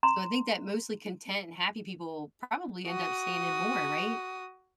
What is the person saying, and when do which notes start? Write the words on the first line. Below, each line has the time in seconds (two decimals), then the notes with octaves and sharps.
So, I think that mostly content and happy people probably end up staying in more, right?
0.03 A#5 C6
2.87 F#4 D#6